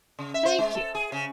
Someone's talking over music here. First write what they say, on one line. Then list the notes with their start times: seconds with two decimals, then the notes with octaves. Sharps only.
'Thank you.
0.19 C#3
0.34 E5
0.45 C5
0.59 G#3
0.75 A4
0.95 G#4
1.12 C#3